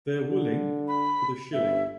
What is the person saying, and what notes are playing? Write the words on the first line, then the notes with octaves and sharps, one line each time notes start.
They're willing - for the shilling.
D3
B5
G1 E5